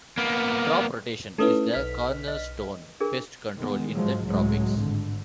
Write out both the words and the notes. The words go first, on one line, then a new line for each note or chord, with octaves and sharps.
Crop rotation is the cornerstone pest control in the tropics.
A#3 B3
A3 C#4 D#4 E4 A4 B4
B1 F6 B6
D#5
D4 G#4 A#4
D#3 G#3 B3
G#2 F3 F#3 G#3
C#2 A2 F#3 G#3
G#1 D3